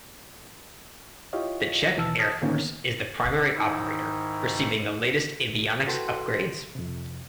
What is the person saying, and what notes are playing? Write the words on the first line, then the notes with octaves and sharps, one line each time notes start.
The Czech Air Force is the primary operator, receiving the latest avionics upgrades.
E4 F4 G4 C#5 D#5 F5
D#2 B2 E3 A5 E6 F6
A5 D#6 F6 G#6
A2 D3 D#3 A#3 B3 C#4
G#2 D#3 D#4 E4
E4 F#4 A4 B4 G5 C6
F2 C3